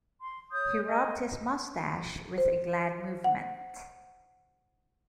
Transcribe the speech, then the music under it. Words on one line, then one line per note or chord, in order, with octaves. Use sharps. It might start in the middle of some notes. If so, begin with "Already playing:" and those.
He rubbed his moustache with a glad movement.
C6
C#5 D#6 G6
A#4 D#5 G#5
C5
F#5